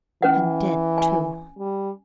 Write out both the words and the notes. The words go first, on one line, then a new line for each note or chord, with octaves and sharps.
And dead too.
E3 C#4 B4 F#5
G#5
G3